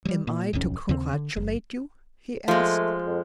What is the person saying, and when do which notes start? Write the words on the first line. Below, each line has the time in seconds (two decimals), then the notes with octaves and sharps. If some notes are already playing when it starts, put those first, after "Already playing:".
"Am I to congratulate you?" he asked.
0.05 F#3 G3
0.27 A#2
0.53 D1 B1 F2 C#4
0.89 D#2 C#3 C4
1.13 D3
1.36 F#1
2.48 F3 G#3 A3
3.06 F2